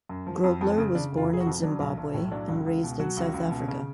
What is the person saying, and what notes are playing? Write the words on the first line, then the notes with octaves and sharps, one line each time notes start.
Grobler was born in Zimbabwe and raised in South Africa.
F#2
F3
F2
F2
C#3
C#3 D4
F1
F4
F1 G#4
F#4
F2
F#3 D4
B1
B1
A2
F#3 D4
C#2
C#2
B2
F#3 F#4
C#2
C#2
B2
C#3